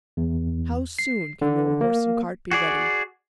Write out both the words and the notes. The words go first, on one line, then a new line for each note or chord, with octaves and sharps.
"How soon can your horse and cart be ready?"
E2
C7
D3
A#3
F#4 G#4 D5